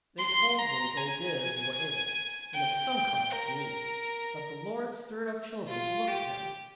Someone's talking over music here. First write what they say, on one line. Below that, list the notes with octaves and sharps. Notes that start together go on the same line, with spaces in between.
They told me they did as they were able, and it was some comfort to me, that the Lord stirred up children to look to Him.
C6
A#5
G#5
G5
A#4
F4
G4